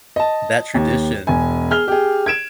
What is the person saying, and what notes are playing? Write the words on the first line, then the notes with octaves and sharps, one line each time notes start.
that tradition
D#5 A5
D#2
E1 G#5
G#4 F6 G7
G4 G#4
G#6 D7 E7